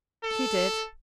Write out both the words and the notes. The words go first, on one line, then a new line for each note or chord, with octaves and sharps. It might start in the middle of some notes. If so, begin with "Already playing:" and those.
"He did."
A4